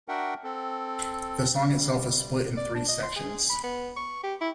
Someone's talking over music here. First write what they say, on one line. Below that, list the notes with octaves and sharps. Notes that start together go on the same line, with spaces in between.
The song itself is split in three sections.
D4 F#4 A#4 E5 F#5 G5
C4 A4
G3
D5
D4
D#5
C6
G#4
B5
B3
C#6
G4
E4